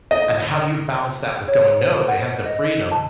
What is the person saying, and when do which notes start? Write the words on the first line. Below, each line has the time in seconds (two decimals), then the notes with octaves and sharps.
And how do you balance that with going, "No, they have the freedom
0.11 D#5
1.48 C#5
1.80 C5
2.08 F#5
2.46 D#5
2.91 A5